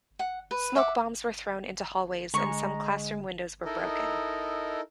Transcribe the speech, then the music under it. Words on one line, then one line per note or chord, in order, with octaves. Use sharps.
Smoke bombs were thrown into hallways and some classroom windows were broken.
F#5
B4
E5 F#5 D6
D3 G#3 A#5 C#6
D#4 E4 A4 A#4 D#5